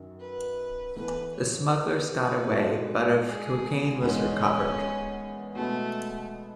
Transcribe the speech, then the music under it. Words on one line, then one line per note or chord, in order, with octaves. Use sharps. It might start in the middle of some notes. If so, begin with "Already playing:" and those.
The smugglers got away, but of cocaine was recovered.
Already playing: F#2 D#3 F#3
B4
E3 B3 E4 A4 B4
C#5
B4
B2 G#3 D#4 A4
G#4
E2 D#3 G#3 B3 C#4 D#4
B2 G#3 A3 B3